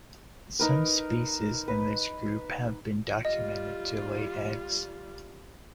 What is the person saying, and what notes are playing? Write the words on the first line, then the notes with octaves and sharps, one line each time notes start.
Some species in this group have been documented to lay eggs.
D#4 A#4 B4
B4
G3 F4 D#5